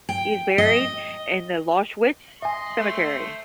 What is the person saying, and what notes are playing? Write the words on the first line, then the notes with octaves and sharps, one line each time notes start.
He is buried in the Loschwitz Cemetery.
G5
D#5
D#5 E5 G#5 C6
A3 C5